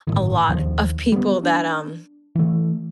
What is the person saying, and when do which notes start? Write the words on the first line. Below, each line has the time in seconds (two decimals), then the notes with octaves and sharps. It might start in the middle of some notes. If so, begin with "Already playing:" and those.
a lot of people that, um,
0.07 G1 A2 D#3
0.49 D#2 D#3 F3
1.12 G3 B3
1.44 D4
2.35 E3 A3